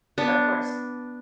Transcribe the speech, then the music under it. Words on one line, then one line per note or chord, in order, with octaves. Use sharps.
Of course.
B3 D4